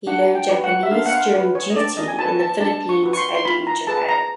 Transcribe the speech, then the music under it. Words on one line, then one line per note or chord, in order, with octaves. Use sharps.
He learned Japanese during duty in the Philippines and in Japan.
D4 F#5
G5
F#4 B4
F#5
E5
D4 F5
F#5
F5
F#4 B4
C#5
D#5
D4 D5
D#5
G#5
F#4 B4 A5
A5
D4 A5
C#6
F#4 B4
C#6
C6
C6
F4 B5
A#5
G#4 B4 A5
A#5